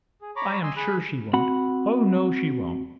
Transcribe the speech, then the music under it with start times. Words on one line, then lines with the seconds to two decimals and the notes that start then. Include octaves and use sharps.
I am sure she won't. Oh, no, she won't.
0.22 G#4
0.36 C#5 A#5 B5 C#6 D6
0.63 D#5 G#5 C6 E6
0.77 G#4 B5 F#6
1.33 C4 F#4 F#5 B5